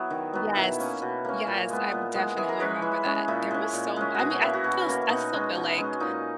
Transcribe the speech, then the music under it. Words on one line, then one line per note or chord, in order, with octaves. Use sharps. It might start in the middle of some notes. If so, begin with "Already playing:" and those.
Yes. Yes, I would definitely remember that. There was so I mean, I feel s I still feel like
Already playing: F#3 B3 E4
D#3
F#3 B3
B2 E4
A#3 C#4
B2
A#3 C#4
A#2
G#3 B3
A#2
G#3 B3
E3 G#4
A#4
G#3 C#4 B4
E3
G#3 C#4
A#2 E4
G#3 C#4
A#2
G#3 C#4
B2 F#4 G#4
F#4
A#3 C#4 E4
F#4
B2
A#3 C#4
B2 D#4
G#3 C#4
B2
G#3 C#4
A#2 D#4